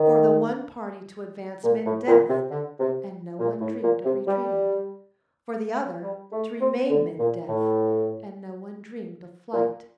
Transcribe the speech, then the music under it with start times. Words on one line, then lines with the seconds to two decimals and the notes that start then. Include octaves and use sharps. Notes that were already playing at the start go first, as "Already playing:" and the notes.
For the one party, to advance meant death, and no one dreamed of retreating; for the other, to remain meant death, and no one dreamed of flight.
Already playing: D#3
1.63 A#2
1.86 A2
2.08 A#2
2.29 C3
2.51 D3
2.80 C3
3.39 A#2
3.61 A2
3.84 A#2
4.05 C3
4.28 G3
6.02 G3
6.32 A3
6.61 C4
6.90 D3
7.19 A#2
7.49 A2
9.54 A#2